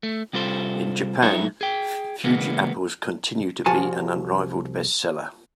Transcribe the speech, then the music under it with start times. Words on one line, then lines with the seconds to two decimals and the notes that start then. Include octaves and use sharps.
In Japan, Fuji apples continue to be an unrivaled best-seller.
0.03 A3
0.33 C3 G3 F4 A4 C5
1.22 F#3 D#4 A4 E5
1.61 G#4 G5
2.24 C#3 E3 G#3 A#3 B3
3.66 C2 F3 F4 F#4 G#5 A5